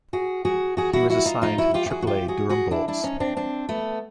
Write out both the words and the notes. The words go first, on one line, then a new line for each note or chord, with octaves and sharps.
He was assigned to the Triple-A Durham Bulls.
F#4 G#4
F#4 G#4
F#4 G#4
E4 F#4
E4 F#4
D#4 F4
D#4 F4
E4 F#4
F4 G4
G4
F#4 G#4
F#4
F4 G4
F#4 G#4
F#4 G#4
D4 E4
D4 E4
C#4 D#4
C4 D4
C4 D4
A3 B3